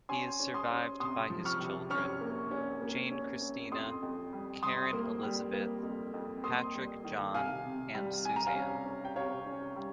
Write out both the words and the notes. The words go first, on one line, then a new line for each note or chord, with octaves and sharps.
He is survived by his children: Jane Kristina, Karin Elizabeth, Patrick Jon and Suzanne.
C#4 G#5 C6
C#4
C6 D#6
C#4
C3 C6 D#6
F3
C#6 F6
C3
C#4 C#6 F6
A#3
C#4
A#3
C#4
C#4
F2 C6 D#6
F2
G3
G3 C6 D#6
A#3
G3
A#3
F2
F2
A#3 C6 D#6
G3
D#3
C3 F5 G#5
C3
G3
C3 G#5
A#5
F5 G#5
C#4
C#4
G5
C3 C#5 F5
C#4
G3